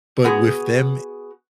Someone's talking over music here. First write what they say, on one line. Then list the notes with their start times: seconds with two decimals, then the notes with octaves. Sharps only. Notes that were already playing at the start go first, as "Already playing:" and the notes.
but with them e
0.24 B3 F#4 G#4